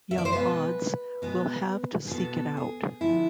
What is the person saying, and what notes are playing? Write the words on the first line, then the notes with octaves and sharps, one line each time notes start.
Young auds will have to seek it out.
E5
D5
C5
B2 G#3 B3 B4
B2 G#3 B3
G#4
B2 G#3 B3 A4
G#4
D3 F3 G#3 B3 E4